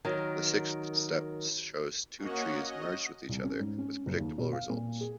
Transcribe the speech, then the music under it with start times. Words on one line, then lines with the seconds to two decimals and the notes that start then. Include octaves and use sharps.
The sixth step shows two trees merged with each other, with predictable results.
0.05 D#3 F#3 A#4
2.18 A#3 C#4 F#4 C#5 D#5 F#5
2.57 D#5
3.29 C2
3.44 C#4
3.59 G#2
3.78 C#4
4.06 F#1
4.18 D#2
4.38 B2
4.53 F5
4.70 A#2
5.01 G#4